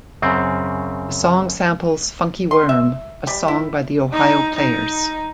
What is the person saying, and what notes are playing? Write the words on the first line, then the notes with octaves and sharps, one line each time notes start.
The song samples "Funky Worm", a song by the Ohio Players.
F#2 C#3 C4
C6
E5
G3
E4
D#4
D#4